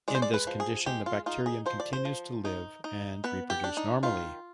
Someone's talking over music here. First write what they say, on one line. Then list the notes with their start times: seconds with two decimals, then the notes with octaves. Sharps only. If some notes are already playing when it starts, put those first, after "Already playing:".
In this condition the bacterium continues to live and reproduce normally.
0.08 G#3 D5
0.15 C5
0.22 D5
0.34 B4
0.47 F3
0.60 G#4
0.86 G#3 G4
1.06 F4
1.26 D#4 F4
1.46 G#4
1.66 F3 C5
1.80 D5
1.93 C5
2.05 F3
2.45 D#4
2.84 D#4
3.24 B3 B4
3.50 G4
3.64 D4
3.77 D#4
4.03 D#3 F4